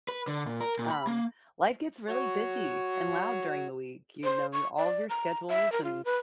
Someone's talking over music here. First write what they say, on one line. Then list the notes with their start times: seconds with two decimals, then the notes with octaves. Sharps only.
Um, life gets really busy and loud during the week- you know, all of your schedules and
0.08 B4
0.28 D3
0.46 A#2
0.61 A#4
0.79 A#2
0.91 B5
1.07 A#3
2.09 F#4 C#5
4.24 C5
4.53 C#6
4.78 D5
5.10 A#5
5.50 E5
5.72 A#4
5.84 F4
6.05 B4